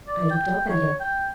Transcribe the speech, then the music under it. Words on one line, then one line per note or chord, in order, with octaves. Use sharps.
I looked up at him.
D5
G5
C#5
G5